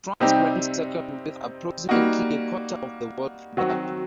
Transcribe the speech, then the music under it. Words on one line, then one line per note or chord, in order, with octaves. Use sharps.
France ranks second with approximately a quarter of the world production.
C3 G3 C4 D#4 G4
G3 A#3 D#4 F#4
D#3 F#3 C4 F#4